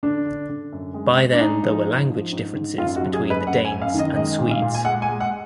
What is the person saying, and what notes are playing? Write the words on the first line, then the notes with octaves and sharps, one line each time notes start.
By then there were language differences between the Danes and Swedes.
D3 D4
D3
D3
F#2
G#3
G#3
D4
G#3 D#4
F3
G#2
F3
G#2
G#2
F#2 F4
F#4
F#3
G#4
F#2
B4
F#2 F#5
G#5
F#2
F5
D#3
D#5
G#3 D#5
A#2
F5
A#2
G#5
G#3 F#5
G#5
G#3
F#5